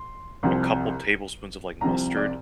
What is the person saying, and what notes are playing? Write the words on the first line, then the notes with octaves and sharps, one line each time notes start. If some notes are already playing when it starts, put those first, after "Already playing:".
a couple tablespoons of, like, mustard
Already playing: C6
C2 C3 F3
C2 C3 F3 A#5
D5